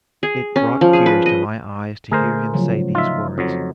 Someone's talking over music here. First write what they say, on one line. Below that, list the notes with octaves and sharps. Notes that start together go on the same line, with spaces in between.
It brought tears to my eyes to hear him say these words.
G#4
C#4
F3
G#4
B4
D#5
D3 A3 G#4 A#4 C5
C#3 F3 F#3
D#4 F4 E5
F2 F#3